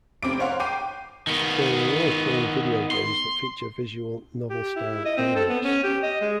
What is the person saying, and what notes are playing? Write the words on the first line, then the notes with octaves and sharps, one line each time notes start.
There are role-playing video games that feature visual novel-style elements.
F1 C4 D6 D7
C5 C#5 F5 F#5 C6
G5 D6 C7 D#7
D#3 B3
C6
G4
E4
D#5
C4
A4
B3
C#4
G4
D#5
G#3